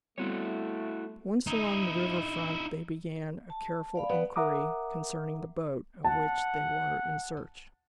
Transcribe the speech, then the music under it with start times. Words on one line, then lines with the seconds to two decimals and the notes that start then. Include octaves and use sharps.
Once along the river front they began a careful inquiry concerning the boat of which they were in search.
0.18 G3 A3 B3 C4 E4 F#4 C#5
1.47 D#4 E4
3.50 A5
3.96 D5 F5 B5
4.09 B3 D5 F#5
4.36 A#4 E5 F#5 A#5 D6 D#6
6.04 F#5 A5